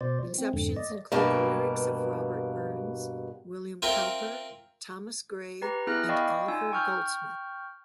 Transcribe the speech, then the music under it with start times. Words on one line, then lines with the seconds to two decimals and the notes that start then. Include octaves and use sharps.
Exceptions include the lyrics of Robert Burns, William Cowper, Thomas Gray, and Oliver Goldsmith.
0.01 B2 C5 D5
0.23 F3
0.38 C4
0.53 F2 G#2 D3
0.76 D5 D#5
1.12 G2 B2 A#3
3.82 C4 F4 A#4 E5 G5
5.62 G4 B4 A#5
5.87 B3 E4 G#4 F6 F#6 A#6
6.09 D5 D#5 F5 G5 B5 C#6
6.48 D#4 F4 G#5 E6
6.71 G5 C#6 F6 G6